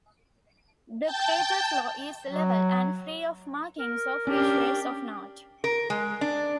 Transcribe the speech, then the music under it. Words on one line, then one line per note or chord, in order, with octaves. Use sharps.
The crater floor is level and free of markings or features of note.
G5 A5 G6
F#3
A#4
C#4 D4 G4
A#4
G#3
D4